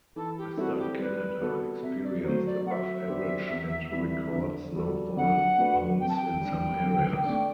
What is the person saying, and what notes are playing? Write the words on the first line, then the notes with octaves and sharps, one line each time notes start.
Western Canada experienced above average and record snowfall amounts in some areas.
E3 A4
G4
G3 C4 E4 F#4 A4
G4
G3 B4
B3 F#4 A4
C3 E5
D5
F#3 A3 C5
D5
F#3 E5 F#5
B3 D4 G4 C5
E2
C3 E3 G3 B3
D3
G3 D4 F#4 A4
D3 F#5
A3 D4 F#4 B4
C3 G5
A5
G5
G3 D4
D3
A3 D4